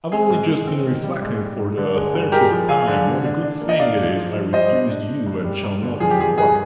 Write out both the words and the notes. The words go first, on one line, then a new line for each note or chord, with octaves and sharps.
I've only just been reflecting for the thirtieth time what a good thing it is I refused you and shall not be your wife.
C4 G#4
G#2
G#2
C4
D#3
G3
G#2
G3
G2
D3
G#3
G2
G#3 G4 A#4
F3
G#3 F5 G#5
D3
D4
D4
D4
A#3
D#5
D4 D5 F5
G#2
F3
F3
G3 C5 D#5
D4
D4
D4
G2
G3
G2
D3
F3 G#4
G4
F3 G#4
G2 G#4